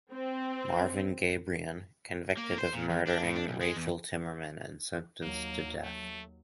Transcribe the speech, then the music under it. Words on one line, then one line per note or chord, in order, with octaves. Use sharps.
Marvin Gabrion - Convicted of murdering Rachel Timmerman and sentenced to death.
C4
A#3
C5
A#2
E2
D4
A2
D4
B1
G#3
E2
D#2 F#3 A#3
A3